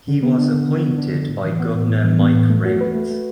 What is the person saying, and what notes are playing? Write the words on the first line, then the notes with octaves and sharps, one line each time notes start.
He was appointed by Governor Mike Rounds.
D3
B3
D4
D3
D3
B3
D4
D3
A2
E3
B3
A2
A2
E3
B3
A2
A3
F#4
B4
A3
A3